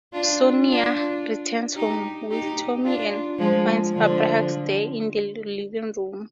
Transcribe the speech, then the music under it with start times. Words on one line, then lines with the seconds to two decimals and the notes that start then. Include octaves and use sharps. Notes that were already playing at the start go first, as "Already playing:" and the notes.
Sonia returns home with Tommy, and finds Abraxas there in the living room.
0.13 D4 F4
0.68 D4 F4
1.76 D#4 G4
2.30 D#4 G4
2.85 D4 F4
3.39 F3 G#3
3.93 D3 F3